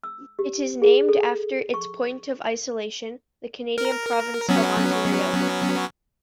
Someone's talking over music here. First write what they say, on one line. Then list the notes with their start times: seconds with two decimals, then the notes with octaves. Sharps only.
It is named after its point of isolation, the Canadian province of Ontario.
0.04 E6
0.39 G4
0.82 G#4
1.09 A4
1.74 C#6
3.78 A#4
4.49 F#3 B3 C#4